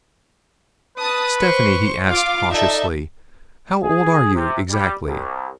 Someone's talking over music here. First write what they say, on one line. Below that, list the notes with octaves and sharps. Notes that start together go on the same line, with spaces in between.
"Stephanie," he asked, cautiously, "how old are you, exactly?"
B4 A5 D#6
C5 C6 C#6
F4 F5 D6
D#4 A4 D5 E5
G#4
C3
G3
C2